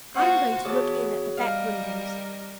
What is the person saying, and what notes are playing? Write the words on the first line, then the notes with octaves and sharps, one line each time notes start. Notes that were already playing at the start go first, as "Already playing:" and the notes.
I'm going to look in at the back windows.
A#3 F4 F#4 C5 F#5 D#6
E3 B3 F#4 G#4 C#5 A5 D6
G3 A#4 D#5 F5